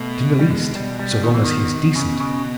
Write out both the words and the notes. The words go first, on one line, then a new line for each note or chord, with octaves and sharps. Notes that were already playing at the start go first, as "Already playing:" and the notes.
"Not in the least, so long as he is decent."
Already playing: B2 A3
G3
G#3
G3
G3
B2 D#3
E3
D#3
C#3
C#3